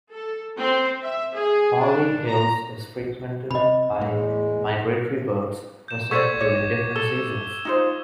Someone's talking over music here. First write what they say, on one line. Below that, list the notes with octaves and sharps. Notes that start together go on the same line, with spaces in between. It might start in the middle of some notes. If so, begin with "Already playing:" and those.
Pali Hill is frequented by migratory birds, present during different seasons.
A4
C4
E5
G#4
D4
A#5
C3 D#5 B5
E2 A2 G#3
G6 E7
A4 C5 D5 C#6 G#6 B6
C#5 D6
A4 E6 E7 G7
D#4 F4 C5